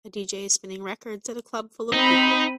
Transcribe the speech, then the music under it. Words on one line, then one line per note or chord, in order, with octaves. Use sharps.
A DJ is spinning records at a club full of people.
C4 D#4 B5